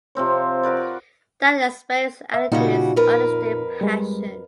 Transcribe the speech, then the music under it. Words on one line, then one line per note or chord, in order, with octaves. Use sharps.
That experience added to his artistic passion.
C3 F3 C4 C#5
F#4 A#4 B4 D5
E5
A#2 C#3 G3 D#4 F4 F#4
F2 A#4 B4
G3 G#3